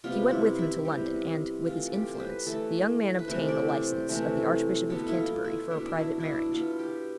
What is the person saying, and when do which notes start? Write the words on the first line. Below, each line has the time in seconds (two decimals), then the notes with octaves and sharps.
He went with him to London, and, with his influence, the young man obtained the license of the Archbishop of Canterbury for a private marriage.
0.04 C3 G3 B3 F4
0.31 E4
0.59 E4
0.85 C3 G3 B3
1.66 E3 A3 F4
1.93 G4
2.14 C5
2.20 B4
2.46 E3 A3 A4
3.19 B4
3.28 C3 E3 A3 C5
3.48 D5
3.68 C5
4.09 C3 E3 A3
4.90 B2 B3 A4
5.09 E4
5.17 F4
5.44 E4
5.71 B2 B3 D4
5.86 D4
5.98 E4
6.20 D4 E4
6.52 B2 B3 F4
6.79 G4